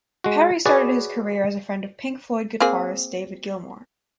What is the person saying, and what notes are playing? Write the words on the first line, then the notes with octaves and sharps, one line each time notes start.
Parry started his career as a friend of Pink Floyd guitarist David Gilmour.
G#3 F#4
F#4 G#4 B4 C#5 D5 G#5
A#3 C4 G#4